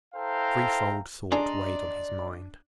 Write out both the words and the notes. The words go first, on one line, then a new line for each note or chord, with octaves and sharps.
A threefold thought weighed on his mind.
E4 A4 C5 F5 G5 A#5
D4 G#4 A4 D5 D#5 A#5 C6